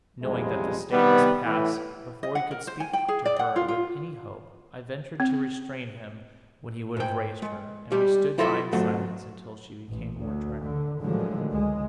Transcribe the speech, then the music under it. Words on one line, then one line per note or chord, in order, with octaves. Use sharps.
Knowing that this state must pass, before we could speak to her with any hope, I ventured to restrain him when he would have raised her, and we stood by in silence until she became more tranquil.
A1 F2 C3 G3 G#3
C3 D#3 G3 B3
A2 E3
D#5
F#5
A#4
C5
G#5
G5
G#4
D5
F#5
F4
F4
C4
G#2 G5
G#3
G3 G#3 G4
F#3 E4 F4 A4 D#5 E5
B1 G#2 F#3 A3
A1
D2
D3
A2 D3 D#3 F3 F#3 G#3
C#2 G#3